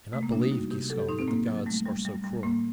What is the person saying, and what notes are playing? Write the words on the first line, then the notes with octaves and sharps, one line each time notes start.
I cannot believe, Giscon, that the gods are so cruel.
C3 A3
A#3
G3 D4
D#4
G3 F#4
C3 G4
F#3 A4
G4
A2 D#4
C4
A2 A#3
F#3
G3 A3
G3
G3
G3
A2 A#3